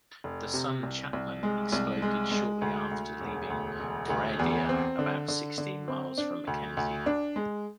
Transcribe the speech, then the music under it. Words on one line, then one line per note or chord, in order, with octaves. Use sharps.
The "Sun Chapman" exploded shortly after leaving Horadia about sixteen miles from Mackenzie.
F1
C3
C2
C2
G#3
C2
G#3
G#3
D2
D2
E1
D2
E1
D2
E2
C4
D3
D3
D3
C4
D4
D2
D2
D4
G#3